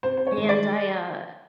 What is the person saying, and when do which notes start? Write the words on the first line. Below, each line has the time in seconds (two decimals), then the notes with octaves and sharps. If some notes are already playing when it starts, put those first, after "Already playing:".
and I, uh
0.03 C3 C5
0.17 C5
0.27 C#5
0.37 D#3 G#3
0.49 D5